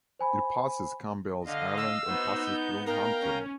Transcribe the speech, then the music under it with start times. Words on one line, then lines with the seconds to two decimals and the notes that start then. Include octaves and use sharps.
It passes Campbell's Island and passes through Hampton.
0.19 C5 G#5 B5
1.46 D3 D#5 F5
1.77 E6
2.07 B3 D#4 F#4 C5
2.46 G6
2.86 A#4 F5 G5 A#5
3.21 C#4